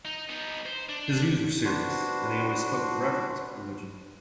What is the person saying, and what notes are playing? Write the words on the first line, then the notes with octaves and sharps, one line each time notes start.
His views were serious, and he always spoke with reverence of religion.
D#4
B3 D#4
C5
D4
D4 F#4 B4 C5